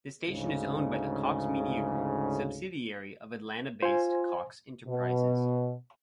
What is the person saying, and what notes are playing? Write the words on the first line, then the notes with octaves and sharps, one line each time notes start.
The station is owned by the Cox Media Group subsidiary of Atlanta-based Cox Enterprises.
D2 G#2 C#3
F4 C5 G#5
B2